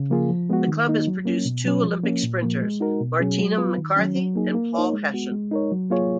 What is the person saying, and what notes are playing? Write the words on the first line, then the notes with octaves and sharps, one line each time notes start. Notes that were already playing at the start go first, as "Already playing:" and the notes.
The club has produced two Olympic sprinters, Martina McCarthy and Paul Hession.
Already playing: C#3
F3 A#3 F4 G#4
F3
G#3 B3 F#4
D#3
A#3 D#4
F#3
A#3 C#4
B2
F#3 C#4
F3
A#3 C#4
A#2
F3 A#3
G#3
D#4 F#4 A#4
B2
F#3 C#4 G#4
F#3
B3 F4 B4
D#3
F#3 C#4
F#3
A#3 D#4 G#4
A#3
D#4 A#4 C#5
G#3
B3 F#4
G#3
D#4 A#4 C#5
F#3
A#3 F4 G#4 C#5